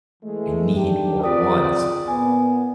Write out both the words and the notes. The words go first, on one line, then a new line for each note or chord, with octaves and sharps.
I need or want,
E3 G#3 A3
D4 D#4 G4
C4 F4 G#4 C5 D5 D#6
A#2 B3 G#5